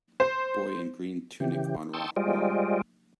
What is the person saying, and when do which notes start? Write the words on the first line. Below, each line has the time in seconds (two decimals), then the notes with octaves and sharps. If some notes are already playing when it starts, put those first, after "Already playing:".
Boy in green tunic on rock wall.
0.20 C5
1.40 C#3 E3 G4
1.94 G5 A5 C6 C#6 D#6 E6
2.16 G3 G#3 F4 C5 D5 D#5